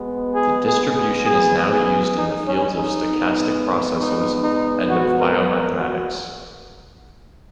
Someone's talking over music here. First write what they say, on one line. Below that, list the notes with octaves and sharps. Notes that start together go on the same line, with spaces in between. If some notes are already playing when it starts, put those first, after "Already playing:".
The distribution is now used in the fields of stochastic processes and of biomathematics.
Already playing: B2 G#3 B3
G#4
G#4
G#4
G#4
G#4
D#4
C#4
D#4
A#2 G#3 B3
D#4
D#4
F#4
A#4
A#4
F#4